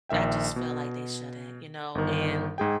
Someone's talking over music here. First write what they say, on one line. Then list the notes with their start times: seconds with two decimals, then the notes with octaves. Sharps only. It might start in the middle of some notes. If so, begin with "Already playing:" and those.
I just feel like they shouldn't, you know, and
0.09 A#1 D#3 E5 G5
0.56 B2
1.95 G1 D#3
2.58 G#2 G#4 G5